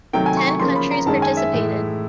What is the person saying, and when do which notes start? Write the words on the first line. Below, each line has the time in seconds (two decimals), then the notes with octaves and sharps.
Ten countries participated.
0.13 C3 D#3 F#3 A3 G5
0.26 G#5
0.37 C#6
0.48 C#6
0.60 C#3 F3 A#3 C#4 C6
0.76 B5
0.91 A#5
1.06 F#2 D#3 G#3 C#4 A5
1.22 G#5
1.37 E5
1.53 A2 E3 G#3